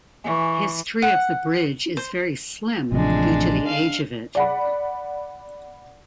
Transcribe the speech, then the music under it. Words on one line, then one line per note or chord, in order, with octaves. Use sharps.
History of the bridge is very slim due to the age of it.
E3 G#5 C#6
F#5
C5
A1 C3 F3 G#3 D4
F5
D5 F#5 B5